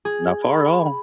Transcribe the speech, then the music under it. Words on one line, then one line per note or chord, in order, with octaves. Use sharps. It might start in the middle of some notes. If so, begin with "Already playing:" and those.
not far at all.
G#4
B5